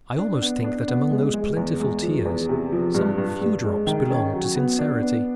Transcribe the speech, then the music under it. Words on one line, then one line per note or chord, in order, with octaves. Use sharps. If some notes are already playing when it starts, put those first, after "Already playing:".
I almost think that among those plentiful tears some few drops belonged to sincerity.
D4
B3
D4
B3
G#3
G#3
E2
G#3
F3
E2
C3
F3
G2
G2
G2
G#3
D#3
C#4
F#3
B3
D4
B3